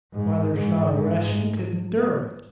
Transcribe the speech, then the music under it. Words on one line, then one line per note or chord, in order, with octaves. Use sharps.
"Why, there's not a Russian could endure it!"
G#2
G#2
G#2